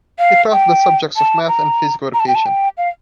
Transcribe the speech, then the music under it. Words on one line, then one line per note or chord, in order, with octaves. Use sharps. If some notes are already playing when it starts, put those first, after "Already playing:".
He taught the subjects of math and physical education.
F5
G5
A5
A#5
A#5
A5
G5
A5
G5
F5